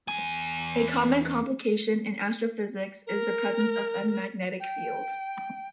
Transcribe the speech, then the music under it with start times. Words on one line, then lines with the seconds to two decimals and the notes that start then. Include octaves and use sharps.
A common complication in astrophysics is the presence of a magnetic field.
0.08 E2 G#5
3.07 A#4
4.60 G5